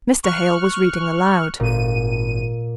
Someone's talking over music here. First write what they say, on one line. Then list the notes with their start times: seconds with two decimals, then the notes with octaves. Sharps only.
Mr. Hale was reading aloud.
0.23 C#6 F6 F#6
1.60 G#1 A#2 D#7